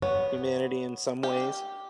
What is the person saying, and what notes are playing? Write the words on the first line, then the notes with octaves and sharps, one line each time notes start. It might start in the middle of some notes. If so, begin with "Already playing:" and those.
humanity in some ways,
B3 C#5
G4